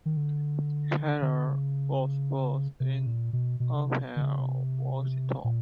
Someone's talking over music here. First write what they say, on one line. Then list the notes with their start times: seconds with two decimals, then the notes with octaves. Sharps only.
Keller was born in Olympia, Washington.
0.06 D#3
0.17 D3
1.22 D3
1.49 C#3
2.80 C3
3.06 A#2
3.33 B2
3.60 B2
3.75 C#3
3.87 C3
4.16 D3
4.21 C#3
4.39 C3
5.44 A#2